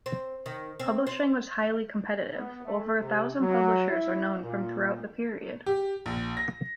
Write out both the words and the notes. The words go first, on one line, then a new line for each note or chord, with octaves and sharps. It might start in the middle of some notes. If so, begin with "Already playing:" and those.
Publishing was highly competitive; over a thousand publishers are known from throughout the period.
C4
D#3
C4
C5
B3
A3
C3
F#3
E4
A#2
G4
A#1
A#6